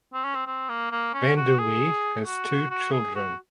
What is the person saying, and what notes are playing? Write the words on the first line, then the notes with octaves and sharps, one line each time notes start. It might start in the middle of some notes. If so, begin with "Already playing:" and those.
Van der Wee has two children.
C4
C#4
C4
C4
A#3
A#3
C#4
F#4
G#4
F#4
F#4
G#4
F#4